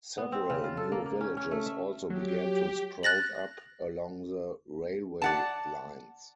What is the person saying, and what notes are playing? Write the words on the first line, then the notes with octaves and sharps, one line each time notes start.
Several new villages also began to sprout up along the railway lines.
B3
C4
C#3
F4
A4
A#3
A#3
C#4
C#4
A3
E5
F#3 G4
F#6 A6 A#6 F#7
D5 F#5 A5